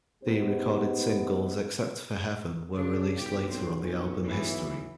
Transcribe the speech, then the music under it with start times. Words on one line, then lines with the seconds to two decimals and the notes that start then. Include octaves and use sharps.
The recorded singles, except for "Heaven", were released later on the album "History".
0.23 G#2 A3 B3 D#4 G4 C5
2.75 C#3 D4
3.19 B1 G4
3.50 C4
3.81 C#4
4.24 E3 B3